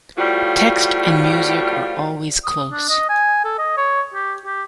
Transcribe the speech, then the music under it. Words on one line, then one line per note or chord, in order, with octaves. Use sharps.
Text and music are always close.
A2 F3 G3 F4 F#4
D#6
D4
D#5
G#5
A4
D#5
C#5
G4
G4